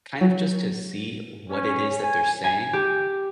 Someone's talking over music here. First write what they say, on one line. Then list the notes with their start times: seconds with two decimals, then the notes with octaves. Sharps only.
kind of just to see what it is that they're saying,
0.21 F#3
1.50 C#4
2.01 G#5
2.44 G#5
2.73 G4